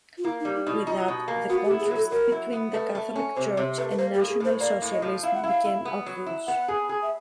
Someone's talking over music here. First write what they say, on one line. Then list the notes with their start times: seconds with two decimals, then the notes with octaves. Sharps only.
With that the contrasts between the Catholic Church and National Socialism became obvious.
0.18 F4
0.24 A#3 E4
0.40 D#4
0.45 G3
0.56 D#4
0.67 B2 D#4
0.72 E4
0.87 D#4 F4
1.08 B2
1.28 A#3
1.49 B3 F#4
1.64 G4
1.70 E4
1.80 G#4
1.91 F#3 A4
2.11 F#3 A#4
2.32 E4
2.53 B3
2.73 A3 B4
2.95 A3
3.16 C#4
3.36 C3 C5
3.57 C3 C#5
3.78 A3 B4
3.90 B4
3.98 A#3 C5
4.14 G4
4.19 A2
4.29 G#4
4.40 A2 C5
4.60 A#3 D5
4.82 A2
4.92 D#5
5.02 F3
5.23 E4 F5
5.34 F#5
5.44 E4 F5
5.65 E4
5.85 B3
6.06 F#3
6.26 E4
6.48 B3 F#5
6.68 G#4
6.89 G#4
7.03 E5